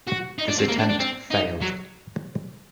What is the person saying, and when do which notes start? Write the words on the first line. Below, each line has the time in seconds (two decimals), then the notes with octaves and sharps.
This attempt failed.
0.07 F#4
0.38 D#4
0.48 D4
0.59 C4
0.69 A#3
0.79 D4
0.89 D4
1.00 C4
1.30 D#4
1.61 F#3